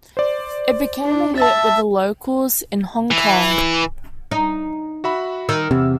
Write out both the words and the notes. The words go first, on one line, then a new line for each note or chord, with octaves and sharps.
It became a hit with the locals in Hong Kong.
C5 D5
D4
E5 A5 A6
E3
D#4
F#4 E5 B5
D#3 E6
E2 C3